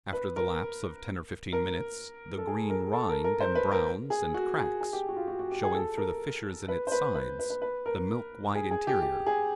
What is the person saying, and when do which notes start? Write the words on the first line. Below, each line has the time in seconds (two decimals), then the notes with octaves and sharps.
After the lapse of ten or fifteen minutes, the green rind embrowns and cracks, showing through the fissures in its sides the milk-white interior.
0.13 B4
0.36 A#4
1.53 A#4
2.38 A4
2.47 G#4
2.70 A#4
2.93 A4
3.09 A#4
3.24 A#4
3.40 C5
3.55 B4
3.72 A#4
4.10 G#4
4.34 F#4
4.57 G#4
4.81 G#4
4.93 G4
5.08 F#4
5.16 F4
5.28 F#4
5.39 F#4
5.51 G4
5.64 G#4
5.75 A4
5.98 A#4
6.68 B4
6.87 C5
6.92 B4
7.15 B4
7.39 B4
7.50 B4
7.62 B4
7.86 A#4
8.55 G#4
8.71 G#4
8.87 G4
9.02 G4
9.27 G#4